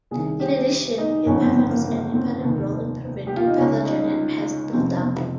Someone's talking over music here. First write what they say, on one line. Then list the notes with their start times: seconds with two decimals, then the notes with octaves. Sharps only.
In addition, it performs an important role in preventing pathogen and pest build-up.
0.11 C2 C3 D#3 G#4
0.40 G4
0.98 D#4
1.26 G1 F2 C#3 C#4
1.41 C4
1.55 C4
1.70 A#3
1.84 A#3
2.13 C4
2.42 F1 D#2 D#3
3.27 G4
3.36 F4
3.47 D#4
3.57 C#2 C#3 C#4
3.86 D#4
4.72 F1 F2 C#3 C4
5.02 C4